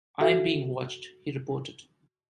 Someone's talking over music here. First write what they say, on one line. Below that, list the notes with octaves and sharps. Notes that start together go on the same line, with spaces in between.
"I'm being watched," he reported.
F#4 A4 E5 F5